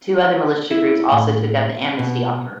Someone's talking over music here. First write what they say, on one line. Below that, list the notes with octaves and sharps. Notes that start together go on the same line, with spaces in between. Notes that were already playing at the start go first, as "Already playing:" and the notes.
Two other militia groups also took up the amnesty offer.
E4
A2
B2